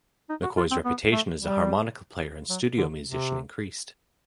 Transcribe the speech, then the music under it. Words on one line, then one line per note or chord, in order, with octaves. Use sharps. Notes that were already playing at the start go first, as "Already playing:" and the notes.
McCoy's reputation as a harmonica player and studio musician increased.
D#4
F#4
F4
C4
B3
A3
G3
F#3
D3
C3